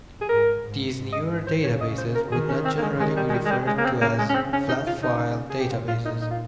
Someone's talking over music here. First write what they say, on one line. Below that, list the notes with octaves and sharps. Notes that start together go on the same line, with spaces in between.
These newer databases would not generally be referred to as flat-file databases.
G#4
G#2 A#4
G#2
G#2
D#5
C5
C#3 C#5
D#5
C5
A#4
D#3 G#4
C#4
C4
A#3
G#3
D#3 G#3
G3
G#3
G3
G#3
G3
C#3 G#3
A#3
C4
A#3
G#3
C#4
C#3 C4
C#4
D#4
F4
C#3 D#4
G#4
G4
A#2 F4
F4
D#4
D#4
F4